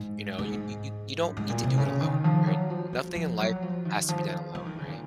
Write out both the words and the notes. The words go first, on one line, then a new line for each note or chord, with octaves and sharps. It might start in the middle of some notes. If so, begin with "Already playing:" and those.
you know, you you you don't need to do it alone, right? N nothing in life has to be done alone, right?
Already playing: G#2
G#2
F#2
G#2
A#2
C3
C#3
D#3
F3
F#3
F3
F3
F3
F#3
F3
D#3
F3
F3
D#3
C#3
A#2